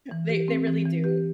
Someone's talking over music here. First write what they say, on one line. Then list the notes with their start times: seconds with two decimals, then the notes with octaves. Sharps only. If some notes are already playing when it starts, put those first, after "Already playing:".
They they really do.
0.11 E3
0.29 G4
0.48 C4
0.67 E3
0.85 E3
1.04 G4